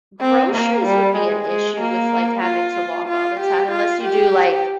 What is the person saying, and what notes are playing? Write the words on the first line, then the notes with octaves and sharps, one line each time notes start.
Groceries would be an issue with, like, having to walk all the time, unless you do, like,
C4
A#3
G3
G#3
G#3
A#3
F4
F4
G4
F4
G4